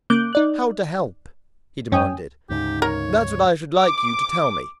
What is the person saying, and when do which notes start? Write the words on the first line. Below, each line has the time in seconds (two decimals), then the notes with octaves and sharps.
How to help?" he demanded "That's what I should like you to tell me.
0.10 C#3 A#3 D6 F#6 G6
0.33 D#4 D5 F#6
1.92 F#2 C#4 G5 G#5 D#6
2.50 D2 G#2 C#3 D#4 G4
2.82 A#4 C#5
3.80 D6